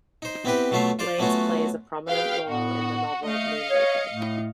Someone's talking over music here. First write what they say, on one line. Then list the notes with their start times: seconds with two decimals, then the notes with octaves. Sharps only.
Blades plays a prominent role in the novel "Moonraker".
0.22 D#4 C5
0.45 B3 C4 E4 G4 B4
0.71 B2 F#3 A3 F4 E5 F5
0.99 F4 C5 D5 F5
1.19 F#3 A3 B3 C#4 F4 F#4
2.08 F#4 G#4 B4 F5 G5
2.47 A2 B3 F#4
3.23 A3 D#5 F5 C#7
3.70 C#5
4.12 A2 A3